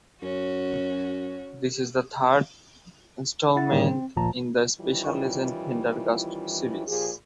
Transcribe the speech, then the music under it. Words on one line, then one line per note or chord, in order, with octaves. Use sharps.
This is the third installment in the Special Agent Pendergast series.
F#2 C#4 F#4
E4 F#5 A6
A2 D3 D#3 G3 A#3
C4
G#1 D2 A#2 F3 A5 A#5
D#3 E3 G3 C#4 E4 F4
A#2 F3 G4 G#4